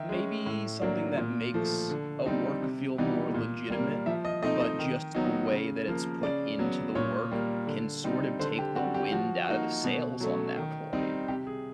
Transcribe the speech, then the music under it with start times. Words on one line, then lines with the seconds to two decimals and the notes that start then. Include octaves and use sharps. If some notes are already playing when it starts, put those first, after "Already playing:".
maybe something that makes a work feel more legitimate, but just the way that it's put into the work can sort of take the wind out of the sails on that point
Already playing: D#3 E5
0.09 G#3 C#4
0.46 A2
0.82 F#3 A#3 D4
1.18 A#2
1.54 F3 A3
1.90 D3
2.26 G3 C4 D#4
2.62 C3
2.98 E3 G3 B3 D#4
3.34 A#2
3.70 G3 A#3
4.06 F3 E5
4.25 D#5
4.42 A3 C4 D#4 D#5
4.61 D#5
4.79 D#3
5.14 F#3 B3 D#4
5.51 C#3
5.88 F3 A#3
6.23 C#3 D5
6.59 F#3 B3
6.95 A#2 C#5
7.31 G3 A#3
7.67 D3
8.04 G3 C4 D#4
8.39 D3 C5
8.58 G4
8.76 G3 C4 F#4
8.94 G4
9.12 F3 F#4
9.48 A#3 D#4 F#4
9.84 B2
10.20 F#3 A3 C#4
10.56 D#3
10.93 G3 C4 D#4
11.28 C3 G4
11.47 G#4